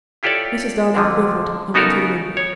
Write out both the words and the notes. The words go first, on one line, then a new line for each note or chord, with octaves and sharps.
Mrs. Darling quivered and went to the window.
E4 F4 G4 A4 C#5 D5
F2 D3 F3 F#3
C#3 B3 D#4 F#4 A4 A#4
C#5